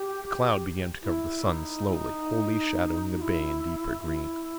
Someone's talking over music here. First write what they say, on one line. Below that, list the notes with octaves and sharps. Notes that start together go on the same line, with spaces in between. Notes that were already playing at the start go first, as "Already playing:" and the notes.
A cloud began to cover the sun slowly, wholly, shadowing the bay in deeper green.
Already playing: G4
E4
E4
D#4
E4
D#4
F#4
E4
E4